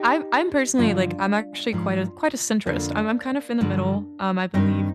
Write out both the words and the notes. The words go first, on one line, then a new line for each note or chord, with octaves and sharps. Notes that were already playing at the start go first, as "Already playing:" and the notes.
I'm I'm personally like I'm actually quite a quite a centrist, and I'm kind of in the middle, um, I believe
Already playing: D#4 G4
G2 D3 F3 D4 F4
G#2 F3
F2 D3 F3 A#3 D4
G2 D3 F3
G2 D#3 C4 D#4